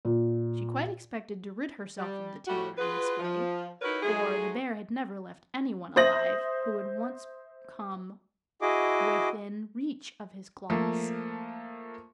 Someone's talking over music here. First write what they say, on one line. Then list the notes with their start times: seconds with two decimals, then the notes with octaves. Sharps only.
She quite expected to rid herself of the tailor in this way, for the bear had never left anyone alive who had once come within reach of his claws.
0.05 A#2
1.98 G3
2.47 A2 G3 A3 F#4
2.78 F4 F#4 G#4 B4
3.19 F3
3.82 D#4 E4 F#4 A#4 B4 C#5
4.03 F#3 G#3 A3 D#4 G#4
5.96 C5 E5 D#6 A#6 F#7
8.62 E4 F#4 G#4 D#5 D6
10.70 F3 A3 A#3